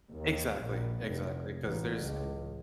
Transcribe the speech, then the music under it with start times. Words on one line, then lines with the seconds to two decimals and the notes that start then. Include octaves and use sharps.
Exactly, exactly. 'Cause there's
0.12 D#2
0.62 A#1
1.07 F1
1.63 A1
2.00 C#2